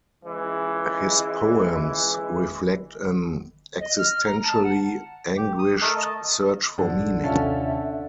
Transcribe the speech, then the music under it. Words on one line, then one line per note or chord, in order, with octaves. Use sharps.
His poems reflect an existentially anguished search for meaning.
C#2 E3 G#3
D#5
F6
A#5
A5
F#5
G4
D#6
A3 A4 A#4 D#5
D#5 A5
G2 D3 F3
A#1
D#2 C3 C#4 F4 A4 E5 A5